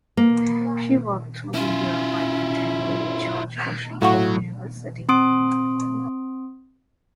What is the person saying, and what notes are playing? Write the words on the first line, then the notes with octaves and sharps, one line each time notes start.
She worked through the year while attending George Washington University.
A#3
C#4 E4 F4
A2 F#3 F#4 F5 F#5 C#6
C4 C6 D#6 D7